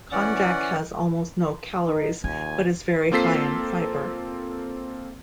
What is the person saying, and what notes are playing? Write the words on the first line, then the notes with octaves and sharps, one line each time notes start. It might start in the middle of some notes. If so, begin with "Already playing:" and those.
Konjac has almost no calories, but is very high in fiber.
E3 C#4 D5 F#5
D#4
D#2 F4 G#5
A#3 C4 F4 A4 B6 C7